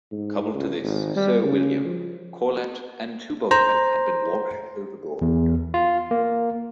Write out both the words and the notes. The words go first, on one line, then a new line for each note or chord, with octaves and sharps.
Coupled to this, Sir William, Corlett and two boatmen had been washed overboard.
G#2
C#2
G#1
G3
C#3
F3
C5 A#5
E2
F4
A#3